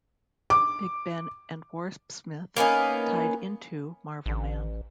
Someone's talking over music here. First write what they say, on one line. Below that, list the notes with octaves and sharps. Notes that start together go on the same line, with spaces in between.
"Big Ben" and "Warpsmith" tied into "Marvelman".
D6
A#3 B3 C#4 D#4
A1